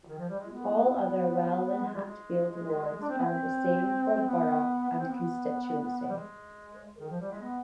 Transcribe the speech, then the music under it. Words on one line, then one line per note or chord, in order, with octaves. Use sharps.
All other Welwyn Hatfield wards are the same for Borough and Constituency.
D#3
F3
G3
G#3
B3
B3
G#3
G3
G#3
D4
C4
B3
C4
B3
B3
C4
B3
G3
G#3
D#3
F3
G3
G#3
B3